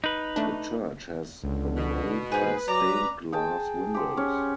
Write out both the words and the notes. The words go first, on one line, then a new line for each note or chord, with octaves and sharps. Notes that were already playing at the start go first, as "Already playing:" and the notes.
The church has a nave and stained glass windows.
D#4 B4
A3 D4
C#2 D3
B2
G#2 D#4 G#4 B4
F#3 D5 A#5
G#4 G5 A5
G4 C5 F#5
C#4